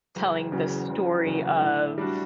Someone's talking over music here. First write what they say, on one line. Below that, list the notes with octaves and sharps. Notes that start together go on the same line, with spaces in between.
telling the story of
F#1
E2 C#3 F#3
F#1
E2 C#3 F#3
A2
G3 D4 F#4